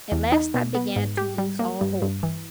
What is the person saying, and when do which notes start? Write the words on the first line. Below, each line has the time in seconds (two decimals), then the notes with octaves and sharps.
At last I began to lose all hope.
0.12 E2
0.32 D#4
0.54 B2
0.75 B3
0.96 G#2
1.17 G4
1.38 G3
1.59 A#3
1.81 G2
2.02 G2
2.23 E3